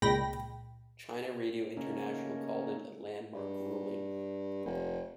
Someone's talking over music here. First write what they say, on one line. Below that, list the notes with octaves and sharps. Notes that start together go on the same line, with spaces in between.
China Radio International called it a "landmark ruling".
C#2 A#2 G#3 G5 B5 A#6
C#3 A3 A#3 C#4 D#4
G2
F1